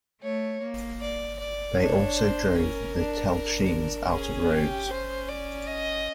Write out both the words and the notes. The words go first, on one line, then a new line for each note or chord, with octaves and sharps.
They also drove the Telchines out of Rhodes.
A3 C#5
A#3
D5
D5
D4 C#5
C5
C#4 A#4
D4
D4
C#4 G#4
G4
C#4 C5
D5
D#5